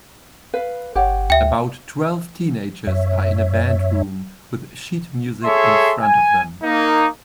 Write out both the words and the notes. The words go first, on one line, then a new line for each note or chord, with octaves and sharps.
About twelve teenagers are in a band room with sheet music in front of them.
B4 F5
G1 G4 C#5 F#5
D2 E5 G5
F#2 C#5 E5
G#4 A4 C#5 E5 C6
G#5
A#3 D#4